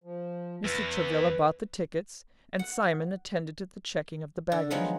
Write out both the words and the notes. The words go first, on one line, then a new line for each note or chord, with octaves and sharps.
Mr. Travilla bought the tickets, and Simon attended to the checking of the baggage.
F3
E2 B4
F#5
D3
D#3 F3 F#3 G#3 B3